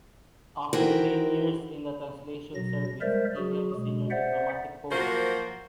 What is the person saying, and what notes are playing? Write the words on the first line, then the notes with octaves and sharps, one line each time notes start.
After ten years in the translation service, he held senior diplomatic posts.
D#3 E3 F#4 G4 A#4 C5
B2 F#3 A#6
G3 G#3 A#4 C5 D5 E5
F#3 F#4 G#4
B2 G#3
C5 D5 E5 F#5
F3 F#3 A#3 F#4 A#4 C5